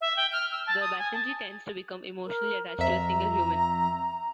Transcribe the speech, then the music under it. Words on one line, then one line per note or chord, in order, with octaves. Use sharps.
The Basenji tends to become emotionally attached to a single human.
E5
G5
F6
E6
A5
D#6
G#5
A5
A#4
F2 E5 A#5